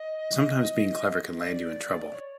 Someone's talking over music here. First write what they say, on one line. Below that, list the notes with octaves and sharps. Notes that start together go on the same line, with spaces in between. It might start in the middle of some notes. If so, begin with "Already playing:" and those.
Sometimes being clever can land you in trouble.
Already playing: D#5
D5
C#5